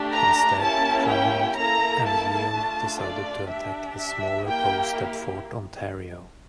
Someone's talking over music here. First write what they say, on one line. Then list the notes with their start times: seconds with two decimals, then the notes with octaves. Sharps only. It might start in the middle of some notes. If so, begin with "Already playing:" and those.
Instead, Drummond and Yeo decided to attack the smaller post at Fort Ontario.
Already playing: A3 D4 G4
0.13 A#5
0.61 A#3 C#4 E4 G4 A5
1.09 G5
1.57 A#3 E4 A4 A#5
2.05 A5
2.53 A3 D4 F4
3.02 D5
3.50 D4 G4 E5
3.98 E5
4.46 A#3 E4 G4 G5